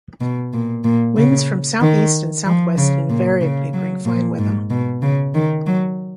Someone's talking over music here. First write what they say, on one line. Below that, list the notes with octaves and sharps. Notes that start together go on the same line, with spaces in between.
Winds from southeast and southwest invariably bring fine weather.
B2
A#2
A#2
C#3
D#3
F3
C#3
A#2
C#3
F#3
A#2
G#2
B2
C#3
D#3
F#3